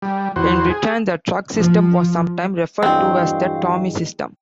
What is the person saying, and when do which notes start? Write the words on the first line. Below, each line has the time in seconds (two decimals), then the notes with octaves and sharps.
In Britain the truck system was sometimes referred to as the Tommy system.
0.02 G3
0.36 E2 F#4 C5
0.70 G#4
1.56 F3
2.83 E2 G2 G#3 C4 F#4 F5